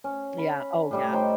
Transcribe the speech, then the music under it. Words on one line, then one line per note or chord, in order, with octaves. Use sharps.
Yeah oh, yeah.
C#4
B5
A2 G3
D#4 C5 C#5 G5